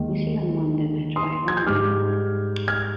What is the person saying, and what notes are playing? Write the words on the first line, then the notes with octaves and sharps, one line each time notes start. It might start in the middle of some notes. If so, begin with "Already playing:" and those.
New Zealand won the match by one run.
Already playing: D#2 D#3 G#3
C6 D#6
G#6
G6
G#2 G3 D6 F6
F6 G#6